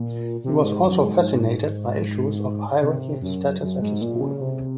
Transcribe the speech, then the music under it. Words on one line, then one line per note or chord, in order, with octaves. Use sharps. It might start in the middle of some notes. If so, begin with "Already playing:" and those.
He was also fascinated by issues of hierarchy and status at the school.
Already playing: A#2
C3
G#2
F#2
G#2
C3
F#2
F#2
G#2
A#2
C#3
C3